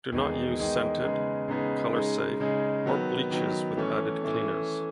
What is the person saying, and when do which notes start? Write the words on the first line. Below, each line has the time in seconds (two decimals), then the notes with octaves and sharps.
Do not use scented, color safe, or bleaches with added cleaners.
0.12 E2 D#3 G#3 D#4 G#4
0.57 E2 D#3 G#3 D#4 G#4
1.03 C#3 G#3 B3 D#4 G#4
1.48 C#3 G#3 B3 D#4 G#4
1.94 C#3 G#3 D#4 G#4
2.40 C#3 G#3 D#4 G#4
2.85 D#3 F#3 B3
3.31 D#3 F#3 B3
3.77 E3 A3 C#4
4.22 E3 A3 C#4